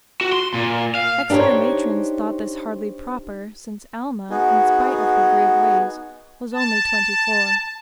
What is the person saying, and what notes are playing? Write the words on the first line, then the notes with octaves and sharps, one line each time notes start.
Exeter matrons thought this hardly proper, since Alma, in spite of her grave ways, was only twenty-four.
F#4
C6
A#2
F5
D4 D#4 G4 C5 C#5
B3 D#4 F#4 G#4
A5